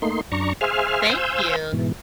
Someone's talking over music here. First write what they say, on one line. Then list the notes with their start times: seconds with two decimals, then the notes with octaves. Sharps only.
Thank you.
0.02 A3 A#3 D#4 C6
0.32 F#2 D4 A#5 C#6
0.61 G#4 C5 E5 F5 G#5 F6
1.09 C5 F5 G#5 E6 G6
1.73 G#2 B2 E3